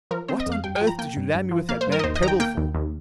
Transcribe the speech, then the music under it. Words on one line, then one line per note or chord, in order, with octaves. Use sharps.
'What on earth did you land me with that man Prebble for?'
F3 A#4
C4 C5
D#5
F2
F5
G2 G5
G5
F3
A#5
A#3 G5
G2
G2
F3
A#3 F5
C5
G2
A#4
D#5
D#2 C5
D#5
D#3 A#5
G5
A#3 G5
D#2
D#2